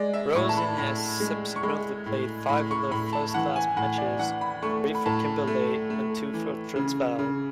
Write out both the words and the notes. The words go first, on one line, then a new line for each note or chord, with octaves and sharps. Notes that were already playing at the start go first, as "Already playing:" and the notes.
Rose-Innes subsequently played five other first-class matches, three for Kimberley and two for Transvaal.
Already playing: G#3 D5
E5
A2 C#6
A5
B5
A2 A5
G#3
C#6
G#3 B5
A2
A2 B5
C#6
A2 B5
A5
E3 F#5
G#5
A2 F#5
D5
E3 F#5
B5
A3 C#6
B5
A2 A5
A3
A3
E3
C#3
C#3